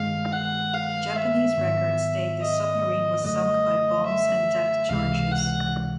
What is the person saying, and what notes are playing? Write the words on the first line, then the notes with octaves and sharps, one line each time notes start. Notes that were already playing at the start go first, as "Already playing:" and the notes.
Japanese records state this submarine was sunk by bombs and depth charges.
Already playing: G2 D#3 G#3 F5
F#5
F5
E5
G#2 D#3 F#3 B3
D#5
F#2 D3 F#3 A3 D#5
E5
C#2 C3 E3 G#3 F5
F#5